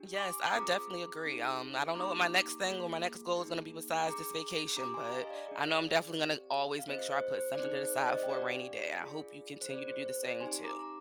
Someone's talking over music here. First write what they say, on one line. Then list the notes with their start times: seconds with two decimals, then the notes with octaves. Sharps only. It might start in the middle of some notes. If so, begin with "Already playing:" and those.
Yes, I definitely agree, um, I don't know what my next thing or my next goal is gonna be besides this vacation, but I know I'm definitely gonna always make sure I put something to the side for a rainy day. I hope you continue to do the same too.
Already playing: D4 G4
0.14 D6
0.18 G#5 C6
0.50 D#6
0.54 C4 F4 G#4 A#5 D6
1.25 C4 D#4 G#4
1.95 A#3 D#4 G4 A#5 D6
2.65 A#3 F4 G#4
3.36 A#3 D#4 G#4
4.07 D4 G#4 A#5 D6
4.77 D4 G4 A#5 D6
4.94 G#5 C6
5.05 A#5
5.12 F5 G#5
5.21 D#5
5.29 D5 F5
5.48 D4 G#4
6.18 C4 G4
6.79 F5
6.88 C4 F4 G#4 C5 D#5
7.11 C5
7.35 C5
7.53 D5
7.59 C4 D#4 G#4 C5
7.96 D5
8.06 C5 D#5
8.23 G5
8.29 D4 G4 D5 F5
9.00 D4 F4 G#4
9.61 C5
9.70 C4 F4 G#4 D5
9.88 C5
10.06 C5
10.23 D5
10.40 C4 D#4 G4 G#5 C6
10.60 C6
10.64 A#5 D6
10.79 A#5